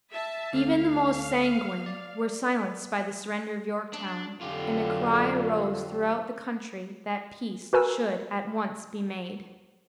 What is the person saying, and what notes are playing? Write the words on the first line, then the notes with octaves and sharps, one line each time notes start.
Even the most sanguine were silenced by the surrender of Yorktown, and a cry arose throughout the country that peace should at once be made.
E5 A5
D2 D3 F5
D5
D4
F2 D3 F#3 F4 G4
F#4 A#4 B4 G#5 E6